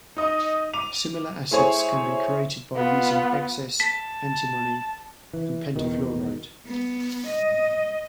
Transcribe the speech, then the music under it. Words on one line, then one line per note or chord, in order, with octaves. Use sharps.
Similar acids can be created by using excess antimony pentafluoride.
D#4 D#5
D6 D#7 F7
A3 E4 G#4 C5 C#5
B3 F4
A5 B6
E3
E2 B2 D#3
B3
D#5